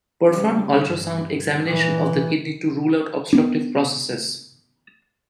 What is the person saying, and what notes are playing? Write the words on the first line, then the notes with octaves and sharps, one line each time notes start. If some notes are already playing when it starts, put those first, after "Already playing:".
Perform ultrasound examination of the kidney to rule out obstructive processes.
C#3 G3
G2
A#2 E3
B3 D4